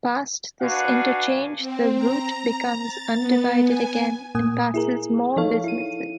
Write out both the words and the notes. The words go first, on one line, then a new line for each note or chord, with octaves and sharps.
Past this interchange, the route becomes undivided again and passes more businesses.
D4 F#4 B4 F5 F#5 G#5
C4
A#5
A6
B3
G#5
A#2 A#3 G#5 D#6
E4 G#4 A#4
F3 D#4 A4 C#5 F5
E4 D#7